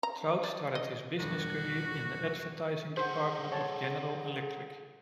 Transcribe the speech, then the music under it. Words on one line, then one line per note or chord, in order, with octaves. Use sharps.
Trout started his business career in the advertising department of General Electric.
A#5
D5
D#5
E1 G2 F#4
G#4 A4 C5 F#5
C#5 A5